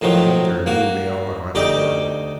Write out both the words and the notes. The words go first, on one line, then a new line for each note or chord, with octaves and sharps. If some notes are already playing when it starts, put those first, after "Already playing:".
They ate their noon meal behind a third one.
A2 D#3 F3 F#3
A#3 F#4
D2 D#4 G4 D5 D6